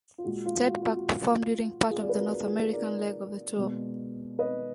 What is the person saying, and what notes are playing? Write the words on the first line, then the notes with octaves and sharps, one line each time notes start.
Ted Park performed during part of the North American leg of the tour.
F4
A#2 G#3 F#4
F4
F#4
F4
F#4
F4 G#4
D5
B4
F#4 A#4
F4 G#4
A#4 D5
B2 G#3
B4 D#5